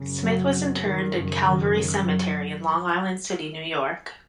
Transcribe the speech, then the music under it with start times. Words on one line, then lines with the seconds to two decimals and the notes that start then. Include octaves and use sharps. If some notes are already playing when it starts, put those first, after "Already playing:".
Smith was interred in Calvary Cemetery, in Long Island City, New York.
Already playing: F#2 C#3
0.19 F#3
0.80 D#3
1.12 F#2 C#3
1.42 D#3
1.73 D#3
2.04 F#3